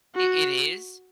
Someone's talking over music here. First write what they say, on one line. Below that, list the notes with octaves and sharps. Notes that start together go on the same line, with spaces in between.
I it is?
F#4